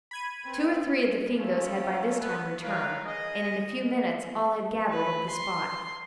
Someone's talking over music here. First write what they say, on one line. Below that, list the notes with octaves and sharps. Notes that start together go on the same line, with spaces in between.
Two or three of the Fingoes had by this time returned, and in a few minutes all had gathered at the spot.
B5 G#6 D#7
C4 B4
A3 A#3 C#4 F4 A4
B3 B4
A#4 B4 C#5 F5
G#4 D#5
B4
C6